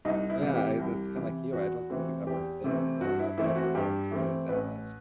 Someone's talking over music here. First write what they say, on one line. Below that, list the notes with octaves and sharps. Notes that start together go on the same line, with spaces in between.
yeah, i it's kinda like you, I don't think you ever think that you'll ever have to do that,
C2 D#4
E4
C3 E3
G4
C2
C3 E3
E2 F#4
C3 E3 A3 C4
E2 G4
C3 E3 A3 C4
G2 F#4
E4
E3 A3 C4 E4
F#4
G2 G4
E3 A3 C4
A1 B4